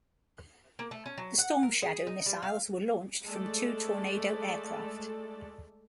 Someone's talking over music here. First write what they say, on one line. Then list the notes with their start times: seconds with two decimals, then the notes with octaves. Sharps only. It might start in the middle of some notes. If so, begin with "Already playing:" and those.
The Storm Shadow missiles were launched from two Tornado aircraft.
0.79 A#3
0.91 A3
1.06 C#4
1.18 F#3
1.38 F#5
1.63 A#4
1.82 G#4
2.07 D#4
2.26 G3
2.42 F5
3.26 G#3 A3 A4 D5